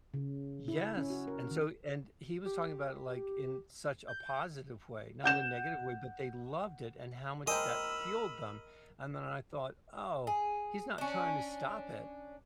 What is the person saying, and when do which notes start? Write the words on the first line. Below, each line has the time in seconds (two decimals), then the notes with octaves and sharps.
Yes, and so and he was talking about it, like, in such a positive way, not a negative way, but they loved it and how much that fueled them, and then I thought, "Oh, he's not trying to stop it,
0.14 C#3
0.68 E4
0.97 C#4
1.10 F#4
1.27 A#4
1.51 D#3
2.45 G4
4.08 G6
5.24 F#5 G6 E7
7.47 G#3 A#4 C5 D#5 G5 B5 E6
10.27 G#4
10.98 C#4 D4